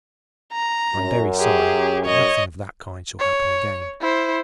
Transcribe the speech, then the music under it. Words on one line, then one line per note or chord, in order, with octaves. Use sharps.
'I'm very sorry, but nothing of that kind shall happen again.'
A#5
F#2
G4 G#4
C#5 D#5
C#5
E4 C5